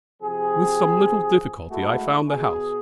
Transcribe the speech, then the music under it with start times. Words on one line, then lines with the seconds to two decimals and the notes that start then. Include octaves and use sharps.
With some little difficulty I found the house.
0.21 C3 F3 G#4
1.70 G#3 A3 E4 F#4
2.29 B2 G#4